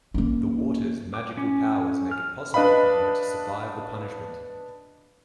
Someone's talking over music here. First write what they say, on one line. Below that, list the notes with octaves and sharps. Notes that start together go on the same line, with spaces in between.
The water's magical powers make it possible for her to survive the punishment.
A#3 C#4
D6
C#4
F6
D4 B4 D#5 F5 B5